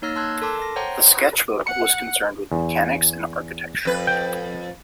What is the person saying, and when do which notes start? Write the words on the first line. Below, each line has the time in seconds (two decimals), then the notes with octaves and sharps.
The sketchbook was concerned with mechanics and architecture.
0.02 A#3 D#4 C#5 E6 F6 A#6
0.16 A5 C6 E6 F#6 G#6
0.42 A4 A#4 A5 C6 D6
0.62 A#6
0.76 C5 C#5 F#5 G5 A#5 C6
1.67 F#5 C#7
2.52 E2
3.85 F2 B4
4.07 G5